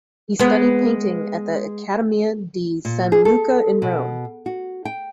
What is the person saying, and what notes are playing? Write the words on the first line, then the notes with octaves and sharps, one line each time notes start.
He studied painting at the Accademia di San Luca in Rome.
G#3 B3
A#2
G#4
A4
B2
F#4
G5